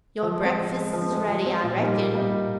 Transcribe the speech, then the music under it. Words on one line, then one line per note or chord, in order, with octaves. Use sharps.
Your breakfast's ready, I reckon.
F3
G#3 C4
F3
G#3 C4
F3
G#3 C4
F3
G#3 C4
A#2
G3 A#3 D#4
A#2
G3 A#3 D#4
A#2